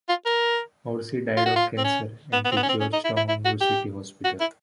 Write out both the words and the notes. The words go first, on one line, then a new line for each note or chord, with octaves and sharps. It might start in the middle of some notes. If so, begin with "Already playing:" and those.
Horsey died of cancer at the Georgetown University Hospital.
F4
A#4
F4
F#4
F4
C4
C#4
B3
B3
C4
B3
C#4
C4
C#4
D#4
E4
E4
E4
F#4
G4
F#4
E4